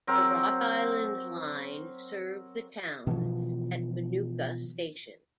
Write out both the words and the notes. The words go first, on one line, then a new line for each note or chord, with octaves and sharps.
The Rock Island Line served the town at Minooka Station.
F#3 C4 A#4
B2 E3 F3